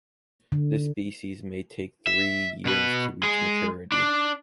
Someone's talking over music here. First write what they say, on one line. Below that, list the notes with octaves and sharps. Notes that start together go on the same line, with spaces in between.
This species may take three years to reach maturity.
D3
E5
B2 B4
G#3 G#4
D4